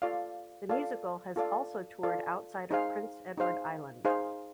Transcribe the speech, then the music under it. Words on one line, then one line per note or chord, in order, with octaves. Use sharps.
The musical has also toured outside of Prince Edward Island.
F4 A4 D5 F5
F4 A4 D5 F5
F4 A4 D5 F5
F4 A4 D5 F5
D#4 G#4 C5 F5
D#4 G#4 C5 F5
D#4 G#4 C5 F5